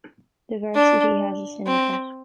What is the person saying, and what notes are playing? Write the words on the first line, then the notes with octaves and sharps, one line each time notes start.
The varsity has a syndicate.
D4
C4